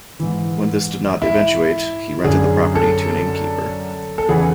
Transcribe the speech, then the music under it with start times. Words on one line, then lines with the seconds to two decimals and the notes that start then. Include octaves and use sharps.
When this did not eventuate, he rented the property to an innkeeper.
0.20 G#2 E3
1.22 E4
2.24 F#2 D3 G#4
2.75 A4
4.18 A4
4.29 E2 C#3 E3 G#4